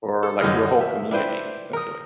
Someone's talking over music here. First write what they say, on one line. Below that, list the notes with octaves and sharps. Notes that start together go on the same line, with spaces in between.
for, like, your whole community, essentially.
A4
F#2 D3 E3 G3 D#5 F6
E5
D4 E4 B4 C5 G5
A#4 D#6